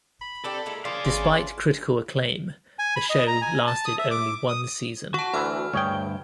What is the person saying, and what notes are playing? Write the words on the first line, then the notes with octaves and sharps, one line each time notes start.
Despite critical acclaim, the show lasted only one season.
B5
C4 D4 G4 A4
G#3 A#3 E4
F3 A#3 G#4 D5 F5
G#1 G#3 A3 C#4
G#5
B5
D#5
A#5
G#5
A5
D#6
E5
D6
D#6
F#4 F#5 A5
D2 E3 B5 F6
D2 G2 G#4 C#5 G5